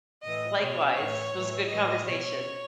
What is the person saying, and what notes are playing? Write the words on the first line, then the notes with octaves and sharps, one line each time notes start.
Likewise. It was a good conversation.
A2 E3 D#5
B2 C#5
A2 E3 C#5
A2 E3
A2 E3 D#5
B2 C#5